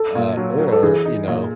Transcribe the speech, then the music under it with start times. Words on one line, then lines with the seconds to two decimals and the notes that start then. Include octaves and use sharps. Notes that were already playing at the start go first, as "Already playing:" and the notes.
uh, or, you know,
Already playing: A4
0.15 A#2
0.37 F#3
0.60 F#3
0.72 A4
0.83 E3 G#4
1.05 D#4
1.28 A#2